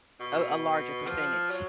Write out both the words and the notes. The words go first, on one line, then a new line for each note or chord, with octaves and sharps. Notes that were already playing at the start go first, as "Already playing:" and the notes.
a a larger percentage.
B2
F3
F#3